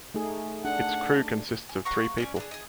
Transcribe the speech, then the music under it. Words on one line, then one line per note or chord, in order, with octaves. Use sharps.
Its crew consists of three people.
A3 D#4 G#4
D4 G#4 F#5
G#5
F5 F#5 A#5 C#6
C#4 D5 G#5
D4 G#4
G#4 D#5